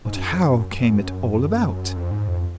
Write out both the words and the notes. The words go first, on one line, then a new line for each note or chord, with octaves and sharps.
But how came it all about?
G#2
F#2
F2
F#2
F2
G#2
F2